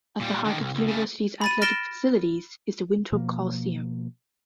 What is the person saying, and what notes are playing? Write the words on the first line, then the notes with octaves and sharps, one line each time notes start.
At the heart of the University's athletic facilities is the Winthrop Coliseum.
A#2 G3
D3 D#3
C2
C#2
C#3 A3
B5 A6 D#7
F6 A6 A#6 D7 E7 G7
B2 F3 A#3